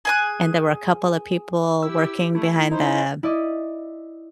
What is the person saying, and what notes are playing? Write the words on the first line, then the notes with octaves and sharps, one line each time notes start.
and there were a couple of people working behind the
G#4 G#5 F#6
E4 G4 E6
A3 E4
D#4 C5
E4 D5 D#5